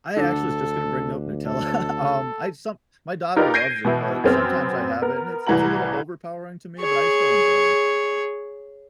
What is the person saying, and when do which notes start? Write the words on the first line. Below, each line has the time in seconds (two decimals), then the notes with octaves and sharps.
I actually was just gonna bring up Nutella. Um, I some my daughter loves it, but sometimes I have it, and it's it's a little overpowering to me, but I still enjoy it.
0.17 D2 D3 A4
1.46 A4
3.36 D#4 F4 G4 A#4 B4 D5
3.54 G6 G#6 A#6 C7 D7 D#7
3.85 B2 E3 E4
4.24 F#2 B3 C4 F6
5.02 B3 A#4
5.47 C2 A2 E3 F#5 A#5 F#7
6.81 G#4 C#5